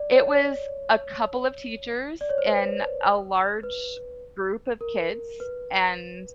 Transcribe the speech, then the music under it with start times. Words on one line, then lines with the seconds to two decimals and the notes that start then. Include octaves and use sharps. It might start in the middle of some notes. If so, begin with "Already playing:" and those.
It was a couple of teachers and a large group of kids, and,
Already playing: D5
0.12 C#5
2.21 D5
2.29 C#5
2.38 C5
2.47 B4
3.63 B4
4.81 A#4
5.40 B4